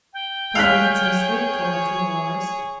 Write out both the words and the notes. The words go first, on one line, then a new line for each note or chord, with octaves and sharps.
Try and get some sleep for a few hours.
G5
G#4 C#5 F5 F6 F#6 B6